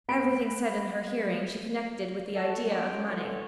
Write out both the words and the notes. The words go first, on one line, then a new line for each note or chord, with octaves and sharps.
Everything said in her hearing she connected with the idea of money.
B3 B5 D7
F#4 A4
B3 C#4 F4 G4
D3 E3 C4 F4 C#5